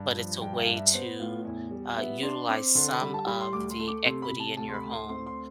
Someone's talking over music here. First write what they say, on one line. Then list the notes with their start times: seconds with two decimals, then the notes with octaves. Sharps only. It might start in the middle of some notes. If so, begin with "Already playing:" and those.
but it's a way to, uh, utilize some of the equity in your home
Already playing: G2
0.16 F3
0.41 G2 G5
0.54 G5
0.58 F5
0.67 G2
0.76 E5
0.93 B3 C5
1.20 A2 F4
1.45 E2 E4
1.71 G3
1.97 B3 E5
2.23 D4 C6
2.49 C4 D6
2.75 D3 C6
3.01 G3 B5
3.14 A5
3.27 G3 B5
3.41 C6
3.53 D2 D6
3.70 C6
3.79 A3
3.88 D6
4.05 C3 C6
4.22 B5
4.31 C3
4.40 A5
4.57 D2 A5
4.68 C6
4.74 B5
4.83 D2
4.92 C6
5.09 C4 C6
5.26 C6